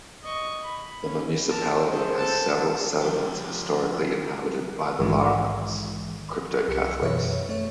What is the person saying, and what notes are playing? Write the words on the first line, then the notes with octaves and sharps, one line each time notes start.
The municipality has several settlements historically inhabited by the Laramans, crypto-Catholics.
D#5 C#6
B5
C#4
A#4 A5
G#4 A4 C5
A4 A5
F3 G4
A#1 G#2 D#3 E3 G#3
C2 G4 C#7
F#2 B2 E3 B4 C#5 E5
A3 C#5